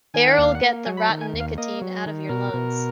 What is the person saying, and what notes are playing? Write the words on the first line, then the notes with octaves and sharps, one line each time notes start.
Air'll get the rotten nicotine out of your lungs.
D#3 G#5
F#5
D#2 F5
F#5
A#3
F#3 G#5
B5
A#5
D#3
G#5
D#2
F5
A#3 D#5
F#3
D#3
B2 A#4
B2